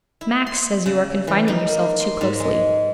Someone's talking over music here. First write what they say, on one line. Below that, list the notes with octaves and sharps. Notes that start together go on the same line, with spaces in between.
Max says you are confining yourself too closely.
E4
C6
C#3
E3
D#4
A#3
C6
G#2
G#3